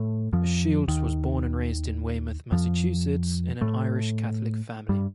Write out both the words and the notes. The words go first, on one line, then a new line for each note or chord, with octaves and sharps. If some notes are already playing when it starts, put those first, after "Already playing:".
Shields was born and raised in Weymouth, Massachusetts, in an Irish Catholic family.
Already playing: A2 A3
F2 F3
D#2 D#3
F2 F3
A2 A3
G2 G3